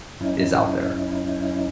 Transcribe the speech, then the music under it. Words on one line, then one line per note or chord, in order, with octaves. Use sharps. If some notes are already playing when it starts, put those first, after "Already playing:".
is out there.
F#2 C#4 D#4 E4